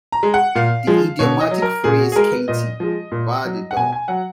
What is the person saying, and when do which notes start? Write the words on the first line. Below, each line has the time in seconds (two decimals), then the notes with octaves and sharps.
The idiomatic phrase Katy, bar the door!
0.12 A#5
0.23 G#3
0.34 F#5
0.55 A#2 F5
0.87 F3 G#3
1.19 B2 C#5
1.41 D#5
1.51 F#3
1.62 A#4
1.84 A#2 G#4
1.99 F#4
2.12 G#4
2.16 G#3 A#4
2.32 B4
2.48 A#2 D#5
2.80 F3 G#3
3.12 A#2
3.45 F#3
3.71 F#5
3.77 B2 G#5
3.92 G#5
4.08 F#3 F#5